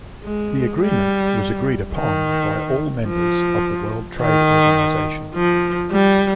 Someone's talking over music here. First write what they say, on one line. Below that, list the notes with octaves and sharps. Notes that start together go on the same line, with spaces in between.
The agreement was agreed upon by all members of the World Trade Organization.
G#3
G3
D#3
F3
D#3
F3
G3